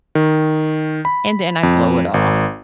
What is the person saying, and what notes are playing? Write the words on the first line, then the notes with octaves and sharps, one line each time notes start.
and then I blow it off.
D#3
B5
F2
G#1